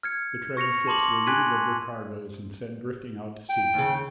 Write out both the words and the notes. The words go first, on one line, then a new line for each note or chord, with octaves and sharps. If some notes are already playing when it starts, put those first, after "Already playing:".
The treasure-ships were looted of their cargoes and sent drifting out to sea.
F6 G#6 C#7
C#6 A#6 C#7 F7
A5 C6 D6 F#7
G#5 C6 F#6 G#6 B6 D#7
G5
D#2 C#3